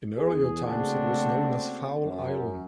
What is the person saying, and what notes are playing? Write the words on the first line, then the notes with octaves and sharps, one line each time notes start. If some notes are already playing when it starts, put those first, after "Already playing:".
In earlier times it was known as "Fowle Island".
E2 G#4
C#3 A3 A#3 C4 D4 F#4
F#2